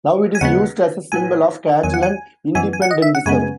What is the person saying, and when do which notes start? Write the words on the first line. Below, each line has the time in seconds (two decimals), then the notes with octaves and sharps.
Now it is used as a symbol of Catalan independentism.
0.35 G#5
0.41 D#2 C#3 G#3 B3 F#5
1.12 A2 F#3 B3 G#5
1.83 E2 D#3 F#3 G#5
1.94 F#5
2.03 G#5
2.55 F#2 E3 B3 G#5
2.73 G#5
2.82 F#5
2.91 D#5
3.02 E5
3.15 F#5
3.26 F#2 C#3 G#3 B3 G#5